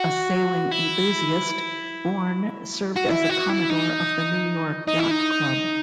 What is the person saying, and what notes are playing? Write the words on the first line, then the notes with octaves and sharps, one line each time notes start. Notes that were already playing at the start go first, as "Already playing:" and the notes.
A sailing enthusiast, Bourne served as a Commodore of the New York Yacht Club.
Already playing: F#4
E4
F#4
E4
F#4
E4
D#4
D#4
E4
D#4